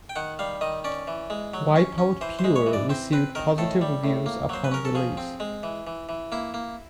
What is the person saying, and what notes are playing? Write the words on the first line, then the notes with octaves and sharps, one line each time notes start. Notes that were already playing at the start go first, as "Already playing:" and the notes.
"Wipeout Pure" received positive reviews upon release.
G5
D#3 F#5
G3 F5
D#3 D#5
C#4 D5
E3
G#3
F#3
C#4
C#4
E3 C5
C5
G#3
C#5
E3
D5
C4 C5
C4 B4
D#3 A#4
A2 A4
G3
A2
A#3
F#3 C5
B4
C#4 A#4
A4
F3 G#4
C4
G#3
E3
E3
E3
A#3 E4
A#3